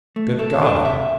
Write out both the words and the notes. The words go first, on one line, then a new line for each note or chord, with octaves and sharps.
"Good God!"
A3
A3 A4
D4 A4
C3 E5